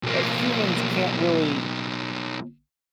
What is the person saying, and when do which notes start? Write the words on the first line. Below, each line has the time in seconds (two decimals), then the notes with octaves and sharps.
uh, humans can't really
0.03 B1 A#3